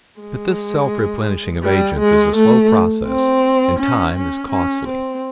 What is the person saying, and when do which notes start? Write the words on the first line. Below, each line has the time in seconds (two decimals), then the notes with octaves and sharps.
But this self-replenishing of agents is a slow process, and time is costly.
0.20 G#3
1.63 G3
1.99 G#3
2.36 A3
3.07 C4
3.79 C#4
4.15 C#4
4.50 C#4
4.87 C4